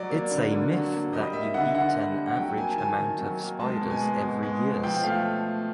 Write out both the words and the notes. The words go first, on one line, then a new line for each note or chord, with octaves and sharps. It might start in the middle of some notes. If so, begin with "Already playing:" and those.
It’s a myth that you eat an average amount of spiders every years.
Already playing: F#3 D5
A#3
D3
D3
F#3
A#3
G3 D#5
A#3 E5
D3 F#5
D3 F#5
G3
A#3
F#5
F#3 G5
A#3 G#5
A5
D#3 G#5
D#3
F#3
A#3
G#3 A5
B2
G#5
G#3
B2
G#3
B2
F3 G5
A3 F5